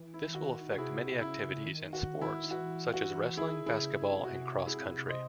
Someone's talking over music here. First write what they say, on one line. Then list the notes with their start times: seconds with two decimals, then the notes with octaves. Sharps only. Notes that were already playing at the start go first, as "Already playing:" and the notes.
This will affect many activities and sports such as wrestling, basketball, and cross-country.
Already playing: E3
0.14 E4
0.35 D#3 F#4
0.70 F#4
0.78 C3 E4 G#4
0.89 C#3
1.00 C3
1.21 C#3 E4
1.65 D#3
1.93 F#4
2.21 E4
2.51 E3 F#4
2.94 F#4
3.37 D#3 E4 G#4
3.66 E4 G#4
3.79 C#3
4.23 C3 F#4
4.66 E4 G#4
5.09 C5 D#5